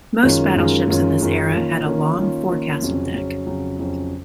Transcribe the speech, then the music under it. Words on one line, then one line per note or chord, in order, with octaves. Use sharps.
Most battleships in this era had a long forecastle deck.
F#2 D#3 G#3 C#4 F4
F#2 D#3 G#3 C#4 F4
F#2 D#3 G#3 C#4 F4
F#2 D#3 G#3 C#4 F4
D#3 A#3 C#4 F4
D#3 A#3 C#4 F4
D#3 A#3 C#4 F4
D#3 A#3 C#4 F4
F2 C#3 F#3 C#4
F2 C#3 F#3 C#4
F2 C#3 F#3 C#4
F2 C#3 F#3 C#4